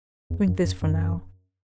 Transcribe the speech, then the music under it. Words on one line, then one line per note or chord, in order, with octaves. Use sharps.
Drink this for now.
E2
F#2
F#2
F#2